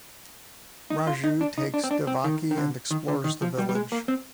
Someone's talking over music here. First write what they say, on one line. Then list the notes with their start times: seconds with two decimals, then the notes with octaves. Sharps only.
Raju takes Devaki and explores the village.
0.90 D#4
1.07 F4
1.24 D#4
1.41 D4
1.58 D#4
1.74 D4
1.84 C4
1.91 D4
2.07 C4
2.24 D#3
2.51 D#3
2.58 D3
2.91 D#3
3.08 D3
3.24 D#3
3.42 F3
3.58 G3
3.69 G3
3.75 G#3
3.92 A#3
4.08 C4